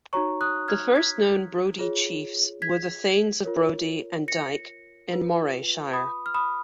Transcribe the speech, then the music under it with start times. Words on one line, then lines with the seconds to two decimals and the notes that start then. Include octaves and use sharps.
The first known Brodie chiefs were the Thanes of Brodie and Dyke in Morayshire.
0.13 D#4 F#4 C#5 A#5 C#6
0.41 D#6 F#6
0.68 F6 G#6
0.96 G#6 B6
1.79 F4 G#4 C#5
2.62 G#6 B6
3.44 F4 A#4 C#5
4.28 A#6 C#7
5.11 F4 B4
5.93 B5 D#6
6.26 F6
6.35 B5 D#6